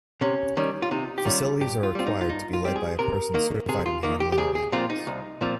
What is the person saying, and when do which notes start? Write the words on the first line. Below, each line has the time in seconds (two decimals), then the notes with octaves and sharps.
Facilities are required to be led by a person certified in handling of animals.
0.21 C3 C#4
0.57 D#3 G3 C#4
0.82 F4
0.91 C3 D#4
1.18 G4
1.25 D#3 G3 C#4 F4
1.60 G2 G4
1.83 F4
1.95 G3 C4 F4
2.06 D#4
2.21 F4
2.29 G2 D#4
2.53 F4
2.64 G3 C4 G4
2.76 G#4
2.99 C3 A#4
3.34 D#3 A#3
3.69 C3 G#4
3.86 F4
4.03 D#3 A#3
4.20 G4
4.32 G4
4.38 C2 G#4
4.55 G#4
4.72 A#2 F3 C4 F4
4.90 D#4
5.07 C2
5.41 A#2 F3 C4